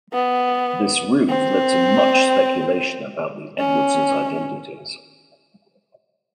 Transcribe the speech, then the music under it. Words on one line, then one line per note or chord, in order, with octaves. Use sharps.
This ruse led to much speculation about the Edwardses' identities.
B3
C4
C#4